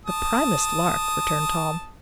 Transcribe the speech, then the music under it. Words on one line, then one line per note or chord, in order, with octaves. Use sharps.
"The primest lark," returned Tom.
A5 D#6